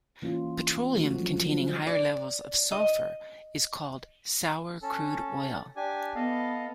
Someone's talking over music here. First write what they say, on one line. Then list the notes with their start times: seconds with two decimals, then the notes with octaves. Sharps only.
Petroleum containing higher levels of sulfur is called sour crude oil.
0.22 E3 A#3 C#4 F4
0.94 E3 G#3 A3 F#4
1.12 F3 F#3 A#3 C#4 D4
1.36 F3
1.87 D5
2.72 D#5
4.82 C#4 A4
5.76 D4 G4 G#5
6.15 B3 A4 D#5 F5